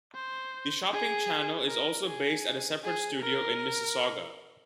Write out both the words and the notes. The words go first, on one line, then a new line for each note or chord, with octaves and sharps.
The Shopping Channel is also based at a separate studio in Mississauga.
C5
G#4
A#4
G#4
G#4
A#4